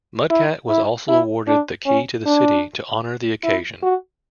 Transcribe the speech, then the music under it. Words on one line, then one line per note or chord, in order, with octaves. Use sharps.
Mudcat was also awarded the key to the city to honor the occasion.
E4
E4
E4
D4
C#4
D4
E4
F#4